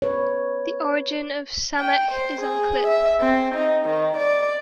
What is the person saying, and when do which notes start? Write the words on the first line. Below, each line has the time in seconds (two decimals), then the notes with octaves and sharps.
The origin of Samekh is unclear.
0.02 B4 C#5
1.79 G5
2.12 C5
2.41 G#4
2.87 E5
3.21 C4
3.55 D#4
3.86 D#3
4.17 D5